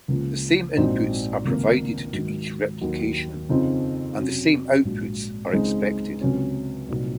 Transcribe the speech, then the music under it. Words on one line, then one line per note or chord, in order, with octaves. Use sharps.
The same inputs are provided to each replication, and the same outputs are expected.
C#2 C#3 F3 A#3
A#1 G#2 F#3 C4 D#4
C#2 C3 D#3 A#3
G#2 D#3 F#3
D#2 D#3 F#3
F2 C#3 F3 C4 D#4
F2 C3 F#3 C#4
A#1 G#2 F#3
C#2 C#3 G#3 C4 D#4
C#2 C3 F#3 C#4
C2 A#2 F#3 C4 D#4